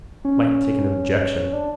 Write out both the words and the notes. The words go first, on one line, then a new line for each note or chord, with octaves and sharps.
Might take an objection.
C#4
D4